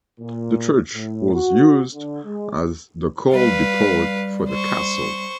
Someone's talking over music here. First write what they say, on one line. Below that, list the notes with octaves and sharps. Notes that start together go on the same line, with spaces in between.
The church was used as the coal depot for the castle.
A#2
A2
F#4
D3
G#3
G3 B4 F5
C5 C#6